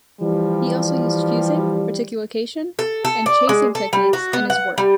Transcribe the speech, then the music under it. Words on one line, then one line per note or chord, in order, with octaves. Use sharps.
He also used fusing, reticulation and chasing techniques in his work.
E3 F3 G3
A4
A4
D5
G#3
A4
G3
F#4
B3
F#5
G3